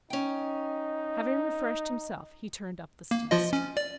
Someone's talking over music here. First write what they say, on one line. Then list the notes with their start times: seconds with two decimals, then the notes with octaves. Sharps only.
Having refreshed himself he turned up the steep street.
0.10 C#4 D#4 G5
3.11 A#3
3.31 F3 F4 D#5
3.53 C#4
3.77 D5